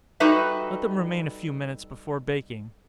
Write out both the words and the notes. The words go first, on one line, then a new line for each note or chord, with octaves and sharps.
Let them remain a few minutes before baking.
G3 D#4 F#4 A4 B4 E5